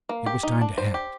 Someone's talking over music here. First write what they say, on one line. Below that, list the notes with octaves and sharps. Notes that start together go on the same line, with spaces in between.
It was time to act.
A#3
G4
D#4
D4
C5
G4